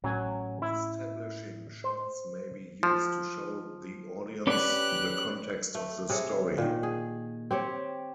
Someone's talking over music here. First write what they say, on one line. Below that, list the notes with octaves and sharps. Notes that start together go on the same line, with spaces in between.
Establishing shots may be used to show the audience the context of the story.
A2 F#3 A3 C#4 G#5
E4
C5
F3
C#4 G4 B4 D5 F#6
A3
C3 G#4 C#5
A#2 D#3
G#4
C4 G4 C#5